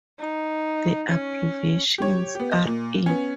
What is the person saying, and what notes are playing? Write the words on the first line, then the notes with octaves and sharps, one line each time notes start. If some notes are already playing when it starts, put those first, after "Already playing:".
The abbreviations r.e.
D#4
C#4
G4 C#5
B3 G4
D#5
A#2
B3 C#4